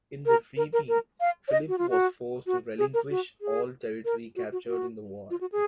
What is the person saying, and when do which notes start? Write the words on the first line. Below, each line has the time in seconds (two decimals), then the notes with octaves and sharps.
In the treaty, Philip was forced to relinquish all territory captured in the war.
0.26 A#4
0.57 A#4
0.73 A#4
0.88 A#4
1.20 F5
1.48 C#5
1.52 D#5
1.68 F#4
1.78 F4
1.89 F#4
2.47 F#4
2.79 G#4
2.94 A#4
3.10 F#4
3.41 G#4
4.05 A#4
4.36 F#4
4.52 F#4
4.67 F#4
5.30 F4
5.41 F#4
5.52 G#4